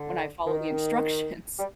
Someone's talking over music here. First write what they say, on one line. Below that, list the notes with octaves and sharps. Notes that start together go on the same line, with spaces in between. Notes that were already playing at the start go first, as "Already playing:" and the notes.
when I followed the instructions."
Already playing: D3
D#3
G3